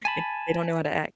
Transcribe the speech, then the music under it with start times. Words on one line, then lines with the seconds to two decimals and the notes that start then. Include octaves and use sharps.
eh, they don't know how to act.
0.05 G#5 A5 B5